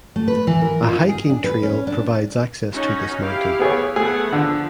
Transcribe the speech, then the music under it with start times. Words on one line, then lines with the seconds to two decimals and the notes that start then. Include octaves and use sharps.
A hiking trail provides access to this mountain.
0.16 A3
0.28 B4
0.47 E3
0.61 A#4
0.83 F4
0.96 D#4
1.09 G#4
1.30 D4
1.44 B4
1.63 C#4
1.87 D4
2.72 C#4 D#4 F#4
3.21 E4 G4 F5
3.60 B3 G#4 C#5
3.96 A3 B3 G#4 F#5
4.33 D3 F3